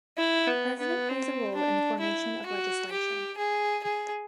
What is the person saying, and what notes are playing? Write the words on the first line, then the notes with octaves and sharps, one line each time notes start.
The president plays a role in the formation of legislation.
E4
B3
B3
C4
D4
E4
F#4
G4
G#4
G#4